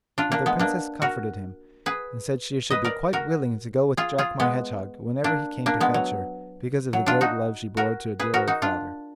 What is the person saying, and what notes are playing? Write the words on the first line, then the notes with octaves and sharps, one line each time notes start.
But the Princess comforted him, and said she should be quite willing to go with Jack my Hedgehog whenever he came to fetch her, because of the great love she bore to her dear old father.
D4 F4
A#3 D4
G#3 B3
A#3 D4
F#4 A#4
G#4 B4
B4 D#5
A#4 D5
F#4 A#4
F4 G#4
F4 G#4
G#3 B3
A#3 D4
A#3 D4
G#3 B3
F#3
F#3
D4 F4
D#4 F#4
F#4 A#4
G#4 B4
F#4 A#4
D#4 F#4
D4 F4